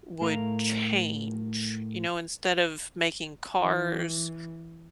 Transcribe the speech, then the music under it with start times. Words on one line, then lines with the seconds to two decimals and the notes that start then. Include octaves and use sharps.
would change. You know, instead of making cars
0.21 A2 A3 A#4 F5 A5 A#5
3.59 E3